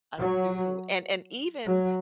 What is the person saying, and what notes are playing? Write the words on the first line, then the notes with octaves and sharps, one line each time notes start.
I do. And and even
F#3
F#3